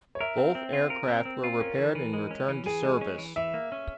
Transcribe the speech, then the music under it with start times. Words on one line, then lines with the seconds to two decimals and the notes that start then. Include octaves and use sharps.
Both aircraft were repaired and returned to service.
0.15 C#5
0.20 A#4 E5
0.37 C4
0.55 C4
0.73 F4
0.90 A#4
1.08 C4
1.25 C4
1.44 F4
1.60 C#4 A#4
1.78 E3
1.95 E3
2.13 G#3
2.31 C#4
2.48 E3
2.66 E3 G#4
2.83 G#3
3.01 C#4
3.18 E3
3.36 E3 E5
3.54 A#3
3.72 C#4